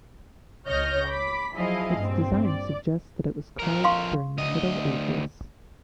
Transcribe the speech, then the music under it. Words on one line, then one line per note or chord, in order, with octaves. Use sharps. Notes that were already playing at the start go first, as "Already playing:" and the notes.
Its design suggests that it was carved during the Middle Ages.
C#2 C#5 D#5 F6 G6 A#6
B5 D6 B6
F3 F#3 E4 G#4 D#5 F5
G2 A#2 C4
D5
F2 A#4
F5 C6 C#6
D2 D#5